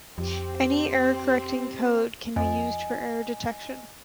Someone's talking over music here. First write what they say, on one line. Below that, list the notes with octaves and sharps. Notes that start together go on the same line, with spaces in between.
Any error-correcting code can be used for error detection.
F2 C4 G4
F2 D#5 G#5